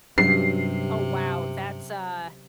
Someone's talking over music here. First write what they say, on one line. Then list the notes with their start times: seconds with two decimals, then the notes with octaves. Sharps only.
Oh, wow, that's a
0.18 G2 C3 F#3 C#4 C7